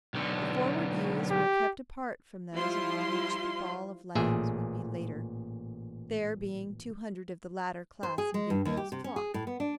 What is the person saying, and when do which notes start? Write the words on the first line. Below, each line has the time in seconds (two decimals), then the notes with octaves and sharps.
The forward ewes were kept apart from those among which the fall of lambs would be later, there being two hundred of the latter class in Gabriel's flock.
0.14 B1 D3
1.30 G4
2.54 F3 G3 E4 F4 C6
4.15 A1 A#2 G#4 E5
8.03 C5
8.18 G#4
8.34 G#3
8.50 G2
8.65 D#2
8.77 G4
8.92 C3
9.04 C#4
9.16 G#4
9.34 A2
9.47 B3
9.60 D4